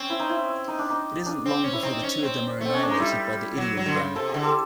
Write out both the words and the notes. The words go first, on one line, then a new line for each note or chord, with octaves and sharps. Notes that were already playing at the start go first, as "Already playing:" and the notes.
It isn't long before the two of them are annihilated by the Ideon Gun.
Already playing: C4 C#4
E4
D#4
E4
D#4
D4
D#4
D4
C4
C#4
E4
C4 D#4
C#4
C4
A3 C4
C#4
D4
G#3 D#4
G3 E4
F#3
F#3
D3
C#3
C3 A4
G#4
D3
G4 A4